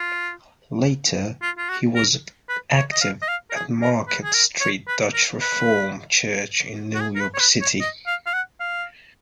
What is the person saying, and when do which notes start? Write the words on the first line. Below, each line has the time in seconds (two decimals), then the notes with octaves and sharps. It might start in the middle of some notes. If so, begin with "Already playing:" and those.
Later, he was active at Market Street Dutch Reform Church in New York City.
Already playing: F4
1.42 F4
1.58 F4
1.69 F#4
1.95 A#4
2.49 B4
2.75 C#5
2.92 D#5
3.01 F5
3.22 D#5
3.28 F5
3.50 A#4
3.55 G#4
3.82 A#4
4.08 B4
4.24 G#4
4.34 A#4
4.61 C#5
4.88 B4
5.14 A#4
5.41 B4
6.95 F#4
7.01 G#4
7.15 A#4
7.20 B4
7.34 C#5
7.40 B4
7.61 C#5
7.80 D#5
8.07 F5
8.26 F5
8.33 F#5
8.60 F5